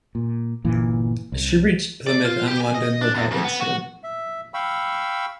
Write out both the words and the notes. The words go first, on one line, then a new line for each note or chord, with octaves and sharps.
She reached Plymouth and London without incident.
A#2
G1 A#2 E3
C2
D5
F4
G4
G#5
D#5
D4
E2
F2
B3
F#4
E5
F5 G5 B5 C#6 E6